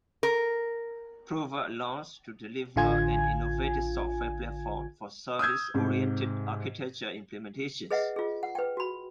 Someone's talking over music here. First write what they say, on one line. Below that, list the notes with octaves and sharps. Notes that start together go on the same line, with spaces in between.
Prova allows to deliver an innovative software platform for Service-oriented architecture implementations.
A#4
A1 D3 F4 G#5 G#6
D#6 E6 G6 G#6
G#2 C3
G#4 B4 D#5 E5 F#5
F4 G#4
F#5
B4 G5
F#4 B5